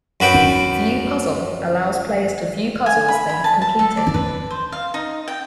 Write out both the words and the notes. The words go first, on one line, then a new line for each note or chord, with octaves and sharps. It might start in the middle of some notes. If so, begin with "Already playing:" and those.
"View Puzzle" allows players to view puzzles they have completed.
F#2 F#4 B4 G5
G#5
B5
B5
A5
A5
A4
D5
B4
C5
F5
D#4
G5